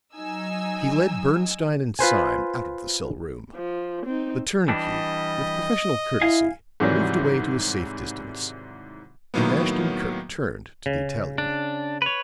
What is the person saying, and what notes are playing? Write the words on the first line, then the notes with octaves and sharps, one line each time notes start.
He led Bernstine and Sime out of the cell room; the turnkey, with professional courtesy, moved away to a safe distance, and Ashton-Kirk turned to the Italian.
F#3 D#4 G#5 E6
F4 B4 C5 G#5
F3
C4 D#4
E3 G3 D4 D#5
E4 F5 G#5
G#2 C3 D#3 E3 F#3 G3
A2 D#3 F#3 A#3 B3
C#3
D4
B4 C#5